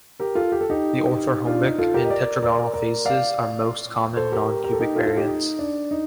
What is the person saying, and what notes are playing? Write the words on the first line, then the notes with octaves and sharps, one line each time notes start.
The orthorhombic and tetragonal phases are most common non-cubic variants.
G4 A#4
F4 A4
G4
A4
D#4 G4
D4 F4
D#4
F4 A4
G4 A#4
D#5
A#4 D5
A#4 D5
A#4 D5
D5 F5
A4 C5
G4 A#4
G4 A#4
A4
D#4 G4
F4 A4
F4 A4
D#4 G4
D#4
D4
D#4